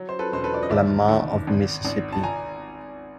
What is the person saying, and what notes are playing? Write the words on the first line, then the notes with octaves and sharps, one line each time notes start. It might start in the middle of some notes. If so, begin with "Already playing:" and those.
Lamar of Mississippi.
Already playing: F#3
C5
A4 B4
E1 C5
A4 B4
D5
D#5
D#2 D5 E5
D#2
G#1
G#1
A5
G#5 A#5